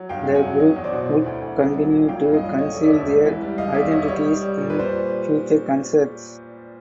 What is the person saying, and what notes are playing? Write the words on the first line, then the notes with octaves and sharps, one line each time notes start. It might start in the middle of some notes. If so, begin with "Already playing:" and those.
The group would continue to conceal their identities in future concerts.
Already playing: F#3
G1 F5 G5
F#2
F#5 G#5
F#3
F#3 C#5 D#5
E2
C5 D5
B2
E3
D2
D2
C2
F#3
A#2
F#3 F5 G5
G2
D#5 F5
F#3
D3 C#5 D#5
E1
D5 E5
D#2
G#2
E3
G3
E1 D#5 F5
E2 D5 E5
E1 C#5 D#5
G3 C#5 D#5
G3
G3
A#2
B4
A#2
C5